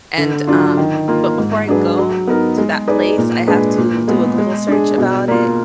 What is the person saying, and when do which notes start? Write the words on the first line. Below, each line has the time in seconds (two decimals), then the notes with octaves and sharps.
and um but before I go to that place, I have to do a Google search about it,
0.18 D3
0.47 F#3 D4 F4
0.77 D#3
1.08 A#3 F4
1.38 G#2
1.68 F#3 D4 G#4 B4
1.98 F#3
2.27 B3 D#4 A#4
2.58 G#3
2.88 D#4 G#4 B4 D5
3.18 A#2
3.48 G#3 D4 G#4 B4
3.78 A#2
4.08 G#3 B3
4.38 G#3
4.68 D4 G#4
4.98 B2
5.28 A#3 F4